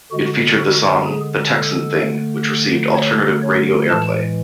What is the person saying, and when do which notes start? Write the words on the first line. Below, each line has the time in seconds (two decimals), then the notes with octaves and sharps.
It featured the song, "The Texan Thing", which received alternative radio airplay.
0.11 D3 G#3 F#4
0.58 F#4
1.06 G#4
1.53 A4
2.00 D3 A3
2.95 C#5
3.41 C#5
3.89 A2 E3 G#3 A5